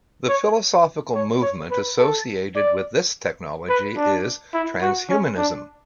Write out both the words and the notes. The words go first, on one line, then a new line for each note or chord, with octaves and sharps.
The philosophical movement associated with this technology is transhumanism.
C#5
C#5
C#5
B4
A4
D5
B4
D4
E4
F#4
C#4
D4